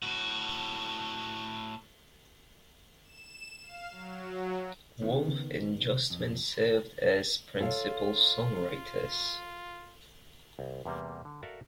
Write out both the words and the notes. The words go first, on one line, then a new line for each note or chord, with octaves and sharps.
Wolf and Justman served as principal songwriters.
A2 F#4
E7
F5
F#3
D#3 B3
C#3
F2
F4 A4 C#5 F5
C2
E2 C3 G3 A#3
D3
F#4 A4 A#4 D5 E5 F5